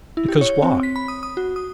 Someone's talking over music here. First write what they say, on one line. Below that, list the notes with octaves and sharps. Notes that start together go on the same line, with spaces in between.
'Because why?
E4
G4
C#5
C4
B6
B5
D#6
D#6
F#4
D#6